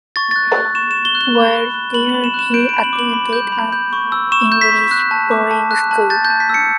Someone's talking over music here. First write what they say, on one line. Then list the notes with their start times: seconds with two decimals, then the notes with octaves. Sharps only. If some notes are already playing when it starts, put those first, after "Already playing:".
While there he attended an English boarding school.
0.16 C#6 A6
0.31 A6
0.36 F#6
0.56 F#6
0.75 C#6 E7
0.91 E7
0.95 C#6
1.05 G7
1.15 F#6
1.21 G7
1.35 B5
1.55 F#6
1.74 F#6
1.94 B5 F#7
2.09 F#7
2.14 B5
2.24 E7
2.34 F#6 E7
2.54 G6 D7
2.69 D7
2.73 B5
2.84 F#7
2.93 D6
2.99 F#7
3.13 B5
3.33 G6
3.52 B5
3.72 G6
3.93 C#6
4.12 E6
4.32 C#6 E7
4.52 G6
4.61 B6
4.72 C#6
4.91 F#6
5.11 A5
5.31 D6
5.51 A5
5.71 F#6
5.91 A5
6.10 G6 A6
6.25 G6
6.30 A5
6.40 B6
6.49 E6 C#7